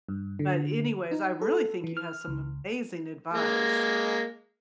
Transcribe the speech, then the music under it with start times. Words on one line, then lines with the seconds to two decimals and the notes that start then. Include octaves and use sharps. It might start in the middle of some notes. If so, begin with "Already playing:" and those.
but, anyways, I really think you have some amazing advice.
0.09 G2
0.39 D3
1.11 D#4
1.42 A4
1.84 E3
1.97 F6
2.28 C#2
3.33 G#3 A#3